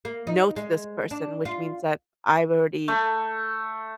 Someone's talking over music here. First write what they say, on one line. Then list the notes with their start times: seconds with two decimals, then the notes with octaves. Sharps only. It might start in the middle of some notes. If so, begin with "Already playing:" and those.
"no" to this person, which means that I've already
0.05 A#3
0.27 D#4
0.56 G#3
1.11 D4
1.45 F4
2.88 A3